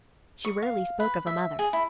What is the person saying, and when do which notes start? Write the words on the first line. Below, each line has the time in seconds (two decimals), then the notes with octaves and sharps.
She rarely spoke of her mother.
0.45 C#6
0.62 F5
1.00 B4
1.27 E5
1.59 G#4
1.73 E4